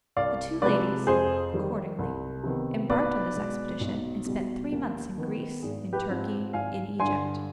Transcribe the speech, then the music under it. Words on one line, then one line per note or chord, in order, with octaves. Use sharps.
The two ladies accordingly embarked on this expedition, and spent three months in Greece, in Turkey, in Egypt.
C2 D5 F5
C3 F3 G#3 B4 D5
F2 G#4 C5
D#3 G3
C2
C3 D#3 B3
B1 B4 D5
B2 G#3
B1
B2 G3
D#2
D#3 B3
G#1 G#4
G4 B4
G#2 F3 C4
G#1 F5 G#5
G2 D3 G#5 C6